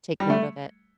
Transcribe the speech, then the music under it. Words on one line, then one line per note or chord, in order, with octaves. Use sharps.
take note of it.
G3
A3